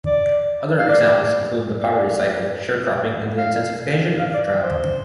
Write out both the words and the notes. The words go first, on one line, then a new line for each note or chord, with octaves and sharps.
Other examples include the poverty cycle, sharecropping, and the intensification of drought.
D5
F5
D5
D5
F5
F5
D5
D5
C5